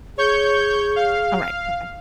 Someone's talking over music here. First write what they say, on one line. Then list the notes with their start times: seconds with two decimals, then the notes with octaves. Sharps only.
Alright. Bye-bye.
0.18 G#4 C#5 C#6 G6
0.96 F5